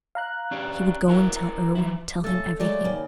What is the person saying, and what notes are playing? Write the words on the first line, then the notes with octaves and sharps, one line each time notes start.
He would go and tell Irwine--tell him everything.
F5 A#5 F#6
C#4 D4 G4
E4 F#4 A#4
A#5
E3 F3 E4
C#3 A3 A4
F#3 G#3 A3 D5
D#2 C#3